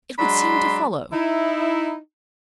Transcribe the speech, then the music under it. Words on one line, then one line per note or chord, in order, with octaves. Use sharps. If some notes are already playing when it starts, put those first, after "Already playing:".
'It would seem to follow.'
F#3 G#3 D4 B5 C6
D#4 E4